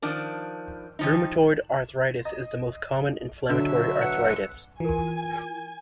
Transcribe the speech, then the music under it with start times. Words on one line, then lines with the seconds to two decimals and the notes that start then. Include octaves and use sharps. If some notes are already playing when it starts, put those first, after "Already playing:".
Rheumatoid arthritis is the most common inflammatory arthritis.
0.02 D#3 F3 D4
0.99 D#3 F3 D#4
2.25 D#5
3.49 B2 D3 F#3 E5
4.02 B4 F#5
4.80 E3 F4 A#4 G#5